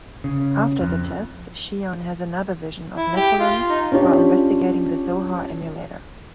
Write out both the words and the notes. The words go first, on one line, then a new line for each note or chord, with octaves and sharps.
After the test, Shion has another vision of Nephilim while investigating the Zohar Emulator.
C#3
F2
E4
G4
F4
D#4
C#4 D4 F4 G4 C#5